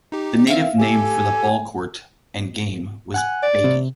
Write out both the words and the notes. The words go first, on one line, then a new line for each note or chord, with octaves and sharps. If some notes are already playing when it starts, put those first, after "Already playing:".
The native name for the ball court and game was "batey".
D#4 G4
C4 E5 F5
G4 A4 G#5
F#5 G#5 F#6
D5
C3